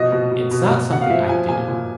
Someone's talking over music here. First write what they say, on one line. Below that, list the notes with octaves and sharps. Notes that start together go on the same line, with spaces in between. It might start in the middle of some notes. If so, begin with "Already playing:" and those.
it's not something I do
Already playing: B2 F3 D#5
B2
B2
B2
B2
B2 F#5
F5
F3 E5
F3 G#5
A#2 G#5
A#2